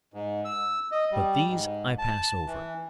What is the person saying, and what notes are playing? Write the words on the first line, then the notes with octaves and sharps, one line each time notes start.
But these I pass over.
G#2
E6
D#5
G3
G#2
A5
E3